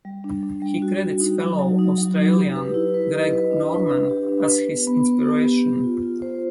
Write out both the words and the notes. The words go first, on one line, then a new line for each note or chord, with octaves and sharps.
He credits fellow Australian Greg Norman as his inspiration.
G3
D4
D4
G3
F#4
F#4
D#4
F#3
F#3
D#4
F#3
D#4
G4
B4
E4
B4
D#5
B4
D4
B4
D4
G4
D4
B4
B3
B3
B3
G4
B3
G4
F4
F4
C5